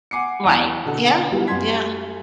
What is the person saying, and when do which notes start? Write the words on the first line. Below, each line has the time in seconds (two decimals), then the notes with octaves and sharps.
Right. Yeah. Yeah.
0.11 F#5 G#5 D6 C7 C#7
0.44 E2
0.85 B2 D3 F#4 A4
1.32 F#3 G3 A#3 B3 E4 F4
1.47 F#2 G3 F#5 C6 G#6 B6